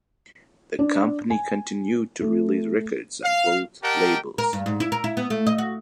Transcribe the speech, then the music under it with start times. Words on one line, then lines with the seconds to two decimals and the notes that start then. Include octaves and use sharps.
The company continued to release records on both labels.
0.79 D4
1.30 G#5
2.21 A3
3.24 F5
3.82 G4 A#4 D#5 F#5 G5 A5
4.38 A#4
4.53 G2
4.66 G#2
4.80 E4
4.92 A#4
5.04 E4
5.17 B3
5.30 A3
5.47 D#5
5.58 F#4